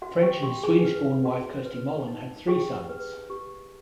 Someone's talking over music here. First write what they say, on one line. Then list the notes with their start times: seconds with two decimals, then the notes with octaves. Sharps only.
French and his Swedish-born wife Kersti Molin had three sons.
0.02 F#4 F#5
0.22 G4 G5
0.43 F#4 G4 G5
0.63 G#4 G#5
0.84 B4
1.25 F#4
1.66 B4
2.07 D#4
2.47 G4 G#4 G5
2.89 B4
3.30 G4